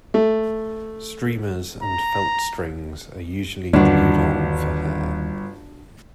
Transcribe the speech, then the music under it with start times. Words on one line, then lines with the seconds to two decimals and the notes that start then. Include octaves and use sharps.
Streamers and felt strings are usually glued on for hair.
0.14 A3
1.82 A#5
3.73 G1 D#2 D4 F#4